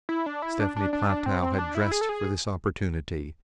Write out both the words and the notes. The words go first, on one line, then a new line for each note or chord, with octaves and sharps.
Stephanie Platow had dressed for this opportunity.
E4
D4
E4
D4
D4
D4
D4
C4
C4
D4
E4
G#4
A4
G#4